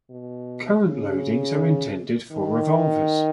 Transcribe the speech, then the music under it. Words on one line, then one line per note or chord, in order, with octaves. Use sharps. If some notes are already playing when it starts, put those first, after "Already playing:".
Current loadings are intended for revolvers.
B2
C#3
D#3